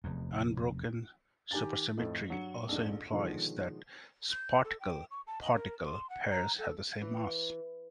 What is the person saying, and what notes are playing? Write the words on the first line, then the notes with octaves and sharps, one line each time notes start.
Unbroken supersymmetry also implies that sparticle-particle pairs have the same mass.
F1 E2
D#3 G4 G#5 A#5 A6
F2 A2
G2 F#3 C#7
A#1 F2 G#2
B2 D3 D#3 F3 G#3
G6
A4
G5
C#6
A5
D#5
A#4
C6
F#5
A#5
A4
E3